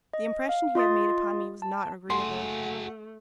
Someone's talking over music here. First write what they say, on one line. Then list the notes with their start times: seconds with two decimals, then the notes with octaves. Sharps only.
The impression he had made upon me was not agreeable.
0.14 D#5
0.49 F5
0.75 F4 D#5 C6 D#6 A6
1.62 A5
2.10 A3 F#4 G#4 F#5 C6